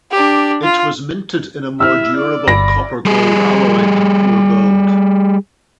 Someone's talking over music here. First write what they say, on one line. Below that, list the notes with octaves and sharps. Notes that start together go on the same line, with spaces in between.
It was minted in a more durable copper-gold alloy than pure gold.
D4 G4
F4
E4 E5 E6 F6
D5
G1 B5 A#6
G3 G#4